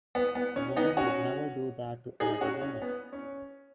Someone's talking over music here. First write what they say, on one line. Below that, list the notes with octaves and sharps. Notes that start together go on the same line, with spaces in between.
A woman would never do that to another woman.
B3
B3
C#4
B3 D#4
C#4 F#4
D#4 G#4
C#4 F#4
C#4
B3
C#4